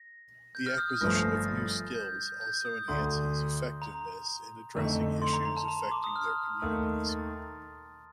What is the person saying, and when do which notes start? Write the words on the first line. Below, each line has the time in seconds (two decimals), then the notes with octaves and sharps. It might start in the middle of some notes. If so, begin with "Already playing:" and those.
The acquisition of new skills also enhances effectiveness in addressing issues affecting their communities.
Already playing: A#6
0.55 G6
0.66 F6
0.78 D#6
0.89 F6
1.01 G1 G2 F3 A3 A#6
1.13 C7
1.24 A#6
1.36 A6
1.48 A6
1.95 G6
2.41 G6
2.65 D#6
2.77 D#6
2.88 D2 D3 A3 C6
3.82 A#5
4.75 F2 D3 A3 D#4
5.22 C6
5.33 A#5
5.45 A#5
5.57 A5
5.68 A#5
5.83 C6
5.91 D6
6.04 D#6
6.16 F6
6.62 D#2 D#3 A3
7.09 A6